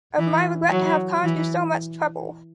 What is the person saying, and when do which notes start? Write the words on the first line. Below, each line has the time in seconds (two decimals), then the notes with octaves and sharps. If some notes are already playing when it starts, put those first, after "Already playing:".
Of my regret to have caused you so much trouble.
0.18 E3
0.71 F#3
1.24 E3